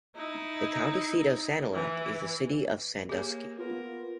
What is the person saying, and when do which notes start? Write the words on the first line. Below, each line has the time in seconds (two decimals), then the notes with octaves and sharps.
The county seat of Sanilac is the city of Sandusky.
0.15 D#4 E4
1.73 E3
3.09 A#3 G4 G#4 C#5
3.59 B3 F4 A#4